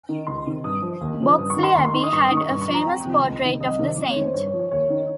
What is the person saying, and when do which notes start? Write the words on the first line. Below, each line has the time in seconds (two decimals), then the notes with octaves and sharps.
Boxley Abbey had a famous portrait of the saint.
0.09 D#3
0.27 C#2 C6
0.46 C3 D#3
0.64 G2 D#6
0.82 F3
1.01 D#2
1.20 C#3 F3
1.38 G2 D#6
1.50 C#6
1.56 D#3
1.63 C6
1.75 D#2 C#6
1.85 C6
1.94 D#3 C#6
2.03 D#6
2.12 G2 C#6
2.24 D#6
2.31 D#3
2.37 C#6
2.49 G2 C#6
2.62 C#6
2.68 F3
2.74 A#5
2.86 F2 G5
3.05 C3 F3
3.24 C#2
3.42 C3 D#3
3.60 C2 D#5
3.79 C3 D#3
3.98 F2
4.10 C#5
4.16 D#3
4.22 C5
4.34 G2 C#5
4.47 C#5
4.53 F3
4.59 C#5
4.71 D#2 C#5
4.90 D#3